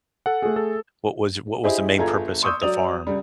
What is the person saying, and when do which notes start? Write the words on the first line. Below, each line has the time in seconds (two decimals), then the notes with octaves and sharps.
what was what was the main purpose of the farm?
0.26 A4 F#5
0.42 A3 G#4
0.56 A4
1.64 E4 G4 G#4 C5 D#5 E5
1.98 G1 F4 G#4 A4 A#5 G#6
2.43 C6 C#6 D#6 E6 G6
2.62 F#3 D5 D#6 F7
3.07 C#2 G3